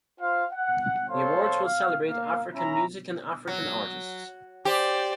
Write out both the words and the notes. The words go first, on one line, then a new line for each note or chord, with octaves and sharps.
The awards will celebrate African music and African artists.
F4 C5 F5
F#5
A4 C5 C#5 F5 C6
F5
A#3 F5
C#4 E4 A#5
F#3
G4 C5 D5